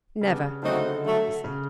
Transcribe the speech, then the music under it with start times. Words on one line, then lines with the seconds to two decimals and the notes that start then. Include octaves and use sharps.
"Never!" he said.
0.21 C#3 G3 B3 D4
0.62 D3 F#3 A3 C4 D#4 F#4
1.03 D3 F#3 A3
1.44 C#3